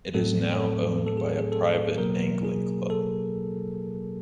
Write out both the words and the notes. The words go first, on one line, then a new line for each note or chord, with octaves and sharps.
It is now owned by a private angling club.
A2 F#3 A3 C4 A4
A4
A4
G#4
G#4
A4
B2 F#3 A#3 A#4
G#4
A4